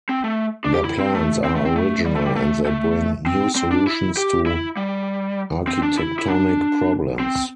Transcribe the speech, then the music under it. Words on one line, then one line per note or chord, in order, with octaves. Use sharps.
Their plans are original and they bring new solutions to architectonic problems.
C4
A3
D4
G4
E4
C4
A3
C4
A3
C4
A3
G3
A3
G3
A3
A3
C4
C4
D4
E4
G4
E4
G3
C4
D4
E4
E4
D4
C4